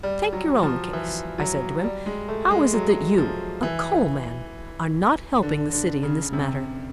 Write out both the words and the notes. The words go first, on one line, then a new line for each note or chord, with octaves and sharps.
'Take your own case,' I said to him, 'how is it that you, a coal man, are not helping the city in this matter?
G3
F#3
F3
E3
F#3
G3
G#3
A3
G#3
F#3
F3
E3
D3
D3
C#3
C3